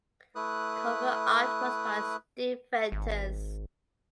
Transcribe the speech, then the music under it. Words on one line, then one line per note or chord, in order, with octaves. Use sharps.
Cover art was by Steve Venters.
A3 E4 B4 D#6 F#6
G#1